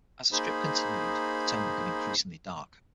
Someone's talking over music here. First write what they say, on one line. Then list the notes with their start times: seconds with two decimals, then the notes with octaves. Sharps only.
As the strip continued the tone became increasingly dark.
0.33 A#3 D#4 G#4 C5 B5